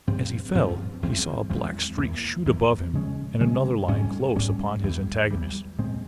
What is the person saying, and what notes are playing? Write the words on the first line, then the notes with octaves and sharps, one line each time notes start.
As he fell he saw a black streak shoot above him and another lion close upon his antagonist.
G2 F3 C4
G2 F3 C4
E2 E3 G#3 C4
E2 E3 G#3 C4
E2 E3 A#3
E2 E3 A#3
C#3 F3 G#3 C#4
C#3 F3 G#3 C#4
G#2 G3 C#4
G#2 G3 C#4
E2 E3 G3
E2 E3 G3
A#2 G#3 C4